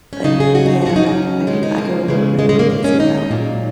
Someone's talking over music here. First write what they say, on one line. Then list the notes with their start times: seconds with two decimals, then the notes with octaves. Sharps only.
but yeah, ragù. I go a little bit of a lazy route.
0.13 C#4
0.24 C#3 F#3 D#4
0.40 G#4
0.55 F#4
0.66 D#4
0.82 D#4
0.86 C#3 F#3 F#4
0.96 D#4
1.06 C#4
1.47 C#3 G#3 D#4
1.63 D#4
1.78 A#3
2.08 C#3 G#3
2.39 G#3
2.49 G#3
2.59 A#3
2.70 A#2 G#3
2.84 C#4
3.00 D#4
3.31 A#2 F#3